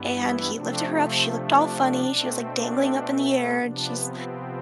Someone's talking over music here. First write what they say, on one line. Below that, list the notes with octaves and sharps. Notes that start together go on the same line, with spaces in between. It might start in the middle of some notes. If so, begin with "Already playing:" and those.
and he lifted her up, she looked all funny, she was, like, dangling up in the air, and she's,
Already playing: G2 E3 B3
E4
C3 F3 A3 C4 D4
C4
D4
B2 A3 C4
D4
C4
C3 F3 B3 D4
C4